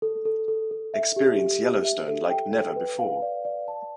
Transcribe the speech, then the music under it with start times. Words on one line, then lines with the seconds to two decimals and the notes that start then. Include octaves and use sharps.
Experience Yellowstone like never before!
0.02 A4
0.25 A4
0.48 A4
0.71 A4
0.94 E5
1.16 G4
1.39 G4
1.62 G4
1.84 E5
2.08 A4
2.30 G5
2.53 A4
2.76 B4
2.99 F5
3.22 D5
3.45 D5
3.68 A5